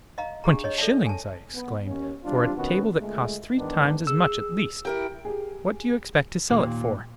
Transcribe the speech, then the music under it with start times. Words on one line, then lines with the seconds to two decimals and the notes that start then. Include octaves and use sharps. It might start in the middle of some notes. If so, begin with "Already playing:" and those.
"Twenty shillings!" I exclaimed; "for a table that cost three times as much at least!--What do you expect to sell it for?"
0.18 D#5 F5 A#5
0.44 D4 G4 G#4 A#5
0.64 C#5 D#5
0.78 A4 D5 E5 A5
1.06 G#5 A5
1.55 B3
1.86 D#2 C#4
2.23 E3 G3 C4 D4 F4
2.55 B2 D#3 B3 C#4 F#4
3.00 C#2 G#3 A3
3.56 E2 G#2 D#3 B3 D4
4.07 G#4 E6
4.85 E4 G4 A#4 G5
5.25 G4 G#4
6.50 D#2 A#2